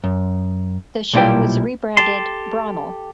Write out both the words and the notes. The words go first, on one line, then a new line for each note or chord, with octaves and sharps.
The show was rebranded Bromell!
F#2
B1 A#2 G3 E4 D5 G5
G4 A4 A5 C6